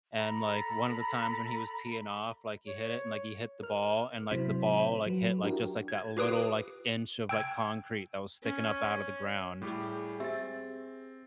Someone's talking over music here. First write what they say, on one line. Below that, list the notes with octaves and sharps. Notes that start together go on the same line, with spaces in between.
and, like, one of the times when he was teeing off, like, he hit it, and, like, he hit the ball, and, like, the ball, like, hit, like, just, like, that little, like, inch of, like, concrete that was sticking up out of the ground,
A4 A#5 B5
C#5
A#4 F6
C3 F#3 E4 C5 B6
F#3 B4
D4 E4 F#4 G4 A#4
G#6
F4 G4 B4 D#6 D7
G5 E6 G#6
C#4
A2 G3 G4 G#4
C4 G4 E5 E6 A6